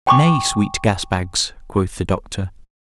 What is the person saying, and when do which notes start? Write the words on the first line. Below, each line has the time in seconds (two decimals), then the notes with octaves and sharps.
"Nay, Sweet Gas-bags," quoth the Doctor.
0.07 G5 G#5 B5 C#6 D6